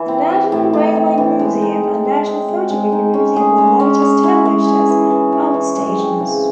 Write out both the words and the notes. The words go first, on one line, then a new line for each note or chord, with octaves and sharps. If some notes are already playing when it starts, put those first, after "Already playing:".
The National Railway Museum and National Photography Museum were later established as "outstations".
Already playing: E3
C4
C4
A2
A2
C4
E3
G#3
D#4
G#3
G#3
C4
G#3
G#3
D#4
C#4
G#4
G#3
C#4
C#4
E4
G#3
G#4
E3
E3
E3
E3
G#3
C4
C#3